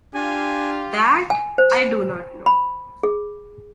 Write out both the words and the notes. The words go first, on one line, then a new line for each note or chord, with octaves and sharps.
That I do not know.
D4 F4 G4 G#5
G#5
C5
B5
G#4